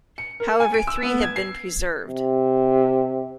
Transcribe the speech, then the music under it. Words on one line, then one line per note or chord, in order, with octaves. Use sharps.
However, three have been preserved.
C#7
A#4
G#5
D7
E6
B3
G#6
C7
C3